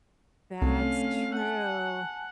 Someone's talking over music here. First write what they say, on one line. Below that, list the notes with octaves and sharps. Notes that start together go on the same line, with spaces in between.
That's true.
C2 A3 C4 C#4 A4 F5
F#5 G#5 A5